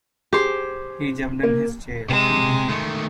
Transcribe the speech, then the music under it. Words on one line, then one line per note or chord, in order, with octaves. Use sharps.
He jumped in his chair.
G4 G#4 C5
A#3
C3 G#3
D#3 A3